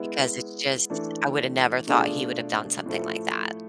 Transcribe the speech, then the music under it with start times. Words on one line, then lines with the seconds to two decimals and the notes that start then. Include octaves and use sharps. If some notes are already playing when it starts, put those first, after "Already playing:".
because it's just I would've never thought he would have done something like that.
Already playing: G#3 B3 E4
0.90 E3 A3 D4
1.87 B2 A3 D4 F4 G#4
2.86 A2 F3 A3